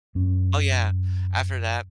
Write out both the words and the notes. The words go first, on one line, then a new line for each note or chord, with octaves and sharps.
Oh, yeah. After that,
F#2 C#4